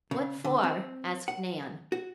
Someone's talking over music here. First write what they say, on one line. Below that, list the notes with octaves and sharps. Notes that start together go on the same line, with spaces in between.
"What for?" asked Nan.
C#3
D3
C4
F#5
F#4